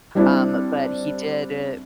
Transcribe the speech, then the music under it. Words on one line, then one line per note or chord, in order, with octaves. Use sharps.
um, but he did, uh,
G3 C4 D4 E4